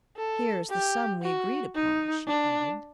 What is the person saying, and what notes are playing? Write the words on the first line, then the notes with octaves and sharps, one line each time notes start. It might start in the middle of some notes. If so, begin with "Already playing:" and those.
"Here is the sum we agreed upon," she added.
A4
G4
F#4
D#4
D4